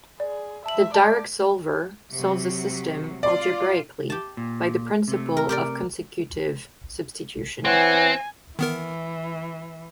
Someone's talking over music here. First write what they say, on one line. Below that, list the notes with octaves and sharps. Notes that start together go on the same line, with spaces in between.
The "direct solver" solves a system algebraically by the principle of consecutive substitution.
G#4 D5
E5 A5 F#7
D5 A5 G6
C3 F#3
F4 D5
G4 A5
A#2
C3 A3
A#4
G4 A#4 D5
E3 C4 C#5 F#5 G#5
D#3 E3 B3 A#4